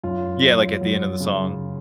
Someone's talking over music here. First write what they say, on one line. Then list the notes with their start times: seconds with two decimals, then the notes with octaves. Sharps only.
Yeah, like, at the end of the song?
0.03 F#2 F4
0.42 F#2
0.81 F#3
1.20 C#3